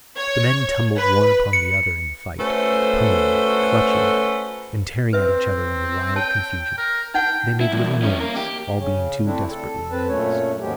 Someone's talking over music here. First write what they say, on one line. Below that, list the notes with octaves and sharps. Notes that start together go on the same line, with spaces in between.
The men tumbled one upon the other in the fight, pummelling, clutching, and tearing at each other in a wild confusion. They made little noise, all being too desperately in earnest.
C#5
B4
C#7
A3 C#4 F#4 A4 B4 C5
C4 B4 E5
C#5 G5 A5
A#4
D#4 F#5 G5
E4
E2 G2
C#4 E4
A#3 A#4
G4
C#3 C#4
A3 C4 D4 E4
A4
C4 B4 A5
F#2 A#2 A3 C#4 C#5
D#2 G#2 F#3 G#3 G4